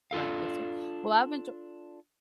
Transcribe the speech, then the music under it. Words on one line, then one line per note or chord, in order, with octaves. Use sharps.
Right, yes, sir, well, I've enjo
D4 F4 A4 F5